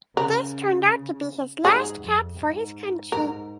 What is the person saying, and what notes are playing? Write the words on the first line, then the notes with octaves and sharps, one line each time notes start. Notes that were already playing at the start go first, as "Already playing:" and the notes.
This turned out to be his last cap for his country.
C#3 A#4
G#2 G#4
F2
G#2
G#2 A#4